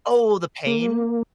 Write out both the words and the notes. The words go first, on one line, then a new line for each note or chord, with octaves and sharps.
Oh, The Pain?
A#3